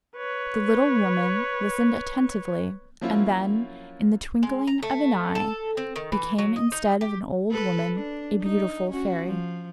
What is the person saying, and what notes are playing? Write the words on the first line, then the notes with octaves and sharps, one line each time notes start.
The little woman listened attentively, and then, in the twinkling of an eye, became, instead of an old woman, a beautiful fairy.
B4 C#5
F3 F#3 A#3 C#4 E4 F4
G#3
A#5
A3
A4
C4
D#3
E3
F#3
D#5
D#4
G4
A4 B4
D4
D#4
C#4 F#4
F3